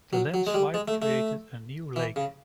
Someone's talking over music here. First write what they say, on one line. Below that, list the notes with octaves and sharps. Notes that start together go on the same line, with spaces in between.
The landslide created a new lake.
F#3
F#3
G#3
G3
G#3
A3
A3
E3
C#3